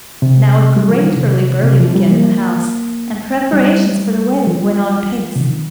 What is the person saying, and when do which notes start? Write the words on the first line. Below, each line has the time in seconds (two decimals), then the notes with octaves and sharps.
Now a great hurry-burly began in the house, and preparations for the wedding went on apace.
0.22 C3
0.77 G3
0.90 F3
1.03 D#3
1.16 C3
1.63 C3
1.80 F3
1.95 G3
2.11 A#3
3.53 G3
4.47 F3
5.36 C3
5.40 D#3